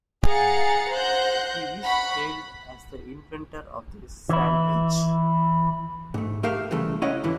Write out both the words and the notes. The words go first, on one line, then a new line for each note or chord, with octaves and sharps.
He is hailed as the inventor of the sand wedge.
G#4 F5 F#5 A#5 A6 C#7
C5 F#5 F#6 G6 A#6
F#5 B5 C#6
E3 E4
G#2 A3
A3 G4 A#4 E5 F5
C2 C#3 E3 G#3 A3
C#4 E4 C#5 D#5 F5 F#5
F2 G#2 D3 E3 E4